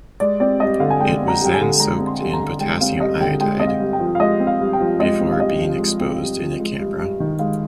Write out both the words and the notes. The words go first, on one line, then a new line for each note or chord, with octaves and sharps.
It was then soaked in potassium iodide before being exposed in a camera.
G#3 D5
C4 D5
G2 D#5
D3 F5
G#5
G#3 G5
C4
A#5
G2 G5
G#5
D3
G#3 A#5
C4
C6
G2
A#5
D3
G#3 G5
C4 F5
G2 D#5
D3 G5
G#3 G5
C4 D#5
F5
G2
G5
F3
F5
G#3 D#5
C4
F5
G2
G5
F3
G#3 D#5
C4
F5
G2 D#5
F3
G#3
C4
G2
F3
G#3
G2
G2
D#3
G#3 F5